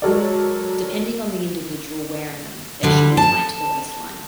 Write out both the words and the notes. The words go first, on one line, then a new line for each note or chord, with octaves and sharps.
Depending on the individual wearing them, they should be tied to the waistline.
F#3 G#3 A4 A#4 C#5 D5
D2 D3 G3
A5